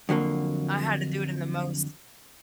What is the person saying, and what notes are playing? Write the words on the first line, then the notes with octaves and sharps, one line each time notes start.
I had to do it in the most
F2 D3 F#3 A#3